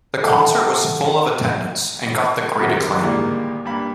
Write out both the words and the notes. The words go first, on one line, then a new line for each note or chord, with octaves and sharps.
The concert was full of attendance and got the great acclaim.
A4 E5 F#5 G5
F#2 C3 D#3 F#5
D2 A2 D#3 G3 G#3 A#3
G2 A#3 B5